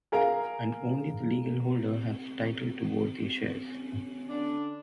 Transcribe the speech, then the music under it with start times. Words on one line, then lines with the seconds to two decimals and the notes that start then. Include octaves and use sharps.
And only the legal holder has title to vote the shares.
0.12 G#4 A#4 F5 A#5
3.50 C#4
4.28 D3 D4